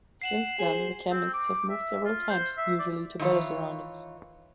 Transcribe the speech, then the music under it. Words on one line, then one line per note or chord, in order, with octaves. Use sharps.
Since then, the chemists have moved several times, usually to better surroundings.
F#5 C7 E7 F#7
G#4 C5
C4
D6
E5
F4
C5
E5
D5
D#3 E3 F4 C#5